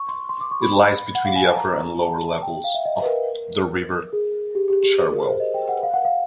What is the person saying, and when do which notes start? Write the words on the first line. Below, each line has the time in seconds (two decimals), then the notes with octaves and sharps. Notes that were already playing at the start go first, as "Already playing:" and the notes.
It lies between the upper and lower levels of the River Cherwell.
Already playing: C#6
0.09 C6
0.29 C6
0.41 D6
0.51 C#6
0.62 B5
1.15 F#5
1.25 F5
1.36 G#5
1.46 A5
1.57 A#5
2.00 A5
2.43 G5
2.64 F5
2.74 E5
2.85 D#5
3.02 B4
3.06 A#4
4.13 G#4
4.55 G4
4.70 G4
4.83 G4
4.98 G#4
5.12 A#4
5.26 C5
5.40 D#5
5.54 G5
5.69 F#5
5.83 F5
5.94 F#5
6.05 F5